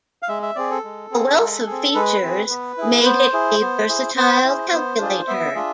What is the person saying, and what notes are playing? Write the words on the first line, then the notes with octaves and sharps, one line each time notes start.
A wealth of features made it a versatile calculator.
F5
G#3 E5
E5
C4 G#4 D5
A4
G#3
C4 G#4
G#3
C4 G#4
G#3 B4
C4 G#4
B3
E4 G#4
B3 C5
E4 G#4
B3
E4 G#4
B3 C5
E4 G#4
B3
D4 F4 G#4
B3 E5
D4 F4 G#4